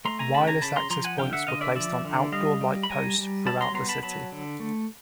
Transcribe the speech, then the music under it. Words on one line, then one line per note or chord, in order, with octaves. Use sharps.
Wireless access points were placed on outdoor light posts throughout the city.
A3 A#5 C6
G#5 A#5
C#3 A5 B5
G#5 A#5
C#3 A5 B5
A#5 C6
F3 A#5 C6
F#5 G#5
D3 F5 G5
E5 F#5
D3 D#5 F5
D5 E5
F3 D5 E5
D3
G3 D#5 F5
G3
B5
G3 G#5 A#5
G3
F#3 A5 B5
A#5 C6
B3 A#5 C6
A5 B5
F#3 A5 B5
D3
A3